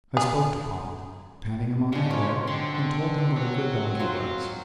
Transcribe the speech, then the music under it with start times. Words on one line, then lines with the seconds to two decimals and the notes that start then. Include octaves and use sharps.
I spoke to Pont, patting him on the head and told him what a good dog he was.
0.17 G#4
1.92 C#3 G#3 D4
2.11 F#3 A#3 F4 C#5
2.47 D3 C4 C6
3.36 F#4 C#5
3.99 F#3 F4 C5